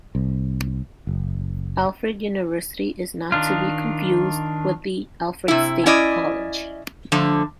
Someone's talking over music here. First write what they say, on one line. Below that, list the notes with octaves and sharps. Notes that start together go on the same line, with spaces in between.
Alfred University is not to be confused with the Alfred State College.
C2
F#1
D#3 D4 F4
C3 E4
C#4 E4 D5 D#5
D3 F3 A3